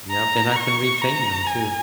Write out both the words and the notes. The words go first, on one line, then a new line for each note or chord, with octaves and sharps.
Yep, and I can rechange ‘em too.
A#5
C#6
A#5
G#5